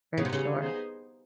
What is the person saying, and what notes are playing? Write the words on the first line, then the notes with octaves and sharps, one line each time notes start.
For sure.
C#3 E3 G3 B3 D#4 G#4
C3
C#3
B3 D#4 G#4 C5